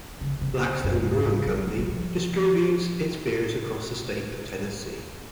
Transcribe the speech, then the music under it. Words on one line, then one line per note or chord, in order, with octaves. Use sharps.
Blackstone Brewing Company distributes its beers across the state of Tennessee.
C#3
C3
A#2
C3
F#2
G#2
C3
F#3
F#3
F#3
F3